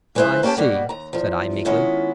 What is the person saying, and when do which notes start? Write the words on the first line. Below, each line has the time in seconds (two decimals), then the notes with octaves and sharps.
"I see," said I, meekly.
0.15 F3 G#3 E4 B4 C5 E5
0.43 A#3 C#4 G4 B4 A5
0.57 B2 G3 A#3 B3 F#4
0.89 D#2 A#5
1.13 E2 F3
1.65 D#3 G#3 B3 C#4 E4 F4